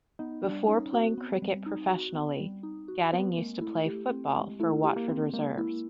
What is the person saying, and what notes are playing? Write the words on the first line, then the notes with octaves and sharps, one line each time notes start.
Before playing cricket professionally, Gatting used to play football for Watford reserves.
B3 D#4
G3 D4
C#4 D#4
C4 F#4
B3
G3
D#4
F#4
B3
G3
D#4
F#4
B3 C4
G#3 A#3
A3 E4
A3 G4
C4
G#3
A3 E4
G4
A#3
C4
G#3 A#3
E4